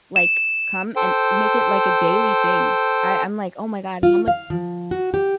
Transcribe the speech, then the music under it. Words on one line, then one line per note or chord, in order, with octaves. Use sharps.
like, come and make it, like, a daily thing, I I'm like, "Oh my God, how much"
E7
A4 C5 G5
F4
F5
F3
F#4
G4